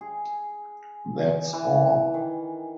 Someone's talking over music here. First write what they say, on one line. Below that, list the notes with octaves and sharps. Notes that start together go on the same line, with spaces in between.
That’s all.
G#4
E3
D#3